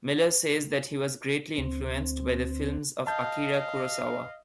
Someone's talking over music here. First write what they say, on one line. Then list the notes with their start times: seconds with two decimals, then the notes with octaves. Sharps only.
Miller says that he was greatly influenced by the films of Akira Kurosawa.
1.58 D2 C4
3.07 D#5 F5 A5 G6